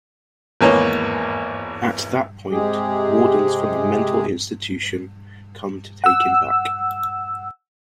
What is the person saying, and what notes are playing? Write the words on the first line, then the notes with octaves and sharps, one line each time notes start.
At that point, wardens from the mental institution come to take him back.
G#1 E2 A#3 B4 C#5 D#5
C3 G#3 G4 G#4
F#5 E6